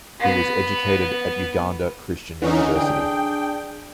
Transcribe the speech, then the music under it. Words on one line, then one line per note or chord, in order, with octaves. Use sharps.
He was educated at Uganda Christian University.
B3
D3 E3 C#4 D#4
D4 G#4 G5